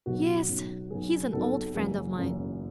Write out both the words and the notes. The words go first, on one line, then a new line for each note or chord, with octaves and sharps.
Yes, he is an old friend of mine.
B1 B2 F#3 F#4
B1 B2 F#3
B1 B2 F#3 G#4
B1 B2 F#3 A4
F#1 F#2 E3 G#4
F#1 F#2 E3